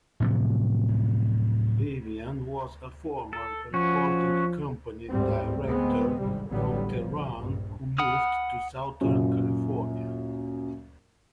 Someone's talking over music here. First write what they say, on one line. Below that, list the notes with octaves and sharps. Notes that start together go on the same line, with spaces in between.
Bibiyan was a former recording company director from Tehran who moved to Southern California.
A2 C3 F3 F#3
A4
F3 C#4 F#4
A1 D2 G#2 G3 C4
D2 G#3 B3 C4
G#1 G#2 C3 G3
A1 D3 F#3 G3 B3
F3
A#1 G2
F#5 B5 D#6 F6
F#2 A#2